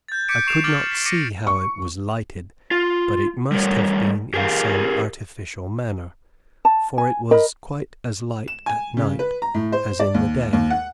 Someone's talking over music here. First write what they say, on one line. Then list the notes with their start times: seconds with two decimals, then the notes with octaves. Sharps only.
I could not see how it was lighted, but it must have been in some artificial manner, for it was quite as light at night, as in the day.
0.08 G6 A6
0.28 D6 G6 B6 C#7 D7
0.47 C#6 G6 C7 D7 E7 F7
0.64 D6 F6 G6 A6 F#7
0.91 C#6 B6
1.06 D6 A#6 B6 C#7 D#7
1.47 C#6
2.71 F4
3.52 G3 A3 A#4 C#5
4.34 G4 G#4 A#4 F5
6.65 A5
6.98 G#5
7.31 A#4 D#5 B5
8.48 E7
8.66 G#5
8.97 C#3
9.19 B4
9.42 A#5
9.54 A2
9.72 C5
10.00 D5
10.14 D#2
10.53 D#2
10.70 F#5